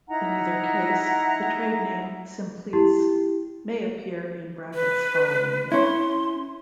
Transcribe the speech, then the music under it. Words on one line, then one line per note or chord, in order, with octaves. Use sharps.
In either case, the trade name "Simplesse" may appear in brackets following it.
D#4 E4 F#5 A#5
E4 G4
B4
C#4 E4 C6